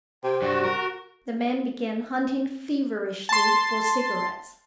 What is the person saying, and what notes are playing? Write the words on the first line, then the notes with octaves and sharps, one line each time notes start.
The men began hunting feverishly for cigarettes.
C3 G5
G2 D4 F#4
A#4
A5 C6